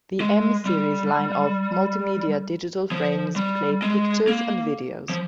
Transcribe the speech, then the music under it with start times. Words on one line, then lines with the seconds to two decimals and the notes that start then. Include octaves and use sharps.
The M-series line of "multimedia" digital frames play pictures and videos.
0.20 G#3
0.66 G3
2.91 F3
3.36 G3
3.82 G#3
4.28 A#3
5.09 F3